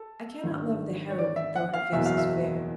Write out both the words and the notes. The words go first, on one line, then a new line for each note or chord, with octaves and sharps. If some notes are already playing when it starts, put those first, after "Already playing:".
I cannot love the heroine, though her face is fair.
Already playing: A4
G#1 G2 D#3
C#5
D5
E5
F#5
F5
F#1 E2 B2 F#3 E5
F5
E5